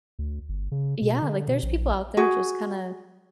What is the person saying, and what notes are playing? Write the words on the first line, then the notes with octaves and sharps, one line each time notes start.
Yeah, like, "There's people out there just kinda
D2
G1
C#3
B2
D3
B2
A#1
F#4 G#4